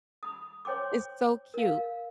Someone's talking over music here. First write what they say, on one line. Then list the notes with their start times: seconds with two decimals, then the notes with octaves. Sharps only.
It's so cute
0.23 B5 D#6
0.65 C5 C#5 G5 C6 D6
1.54 A#4 F5